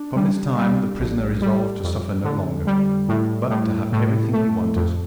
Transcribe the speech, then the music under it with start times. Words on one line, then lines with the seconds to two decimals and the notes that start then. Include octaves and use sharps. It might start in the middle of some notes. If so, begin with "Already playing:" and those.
From this time the prisoner resolved to suffer no longer, but to have everything he wanted.
Already playing: D4
0.16 G3
0.58 G3
1.00 A#1
1.42 G3
1.84 F2
2.24 D3
2.67 G3
3.09 A2
3.50 A2
3.93 A2
4.33 A3
4.76 F2